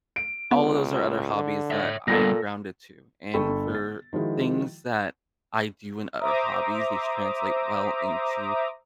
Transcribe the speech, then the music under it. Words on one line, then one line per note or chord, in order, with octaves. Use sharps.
all of those are other hobbies that I am grounded to, and for things that I do in other hobbies, these translate well into
D7
C#2 B3
D3
C#5 E5
A#2 G3 B3 A4 A#6
G1 D3 A4 G5 B5 C#6
A6
D#3 F3 G#3 E4 F#4
C5 E5 A#5 D6 D#6